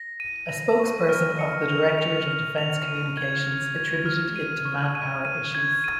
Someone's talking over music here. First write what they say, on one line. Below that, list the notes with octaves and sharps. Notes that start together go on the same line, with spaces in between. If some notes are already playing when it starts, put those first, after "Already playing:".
A spokesperson of the Directorate of Defense Communications attributed it to manpower issues.
Already playing: A#6
D#7
A#6
C#6
F6
C#7
F7
F7
F6
F7
D#7
G#6
G#6
G#6
F6
D#7
C#6
D#7
D#7
G#6
D#7